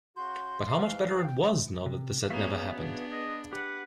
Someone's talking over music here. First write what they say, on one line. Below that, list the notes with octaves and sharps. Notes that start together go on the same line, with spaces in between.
But how much better it was now that this had never happened!
C#3 F#4 C6 G6
G#2 E3 F5
D#6
G5
C3
A#3 B3 C#4 F#4 G#4 E5 F5
D4
D#5
G4 B4 F#5